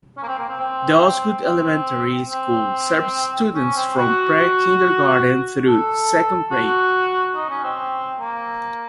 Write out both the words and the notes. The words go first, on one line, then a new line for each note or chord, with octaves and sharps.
The Osgood Elementary School serves students from pre-kindergarten through second grade.
C#4
A#3
C4
A#3
C4
C4
C4
C4
C#4
C4
F#4
A4
F#4
D#4
C#4
C4
A#3